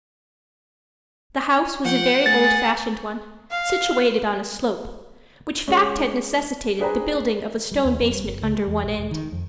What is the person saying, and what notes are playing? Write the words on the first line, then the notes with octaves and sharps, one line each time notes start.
The house was a very old-fashioned one, situated on a slope, which fact had necessitated the building of a stone basement under one end.
F3 F#5 G5
A3 G#4 A6
F5
G#3 C#4
D4 G#4 B4 C5 G5 A#5
G3
D#2
F2
G3
G1
C#2
G#3
E2
A#1
E1
D#3
F2